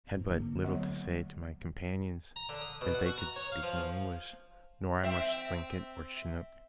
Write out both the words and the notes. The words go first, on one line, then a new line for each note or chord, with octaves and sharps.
I had but little to say to my companions as they could speak no English, nor I much Thlinkit or Chinook.
G#2
D3 A#3
F#3 A3 B3
A#5
D3
D#6
B2
F#5
F#4
A#5
C#5
F5
F3
C4 E5